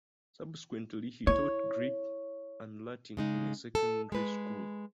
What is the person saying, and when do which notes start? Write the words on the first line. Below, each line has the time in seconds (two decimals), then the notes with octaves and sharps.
Subsequently he taught Greek and Latin in a secondary school.
1.27 E4 C#5
3.17 C#3 G#3 D#4
3.75 A4
4.12 G#3 B4